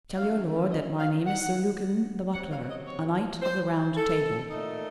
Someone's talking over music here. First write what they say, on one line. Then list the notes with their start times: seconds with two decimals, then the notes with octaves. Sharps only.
Tell your lord that my name is Sir Lucan, the butler, a Knight of the Round Table.
0.17 F#2 D#3 A3 C#4 F5
0.71 D#5
0.99 F5
1.26 F#5
2.33 C3 F#3 C4 F#5
2.51 F5
2.69 D#5
2.87 C#5
3.42 C5
3.96 A4
4.49 A#2 A3 D#4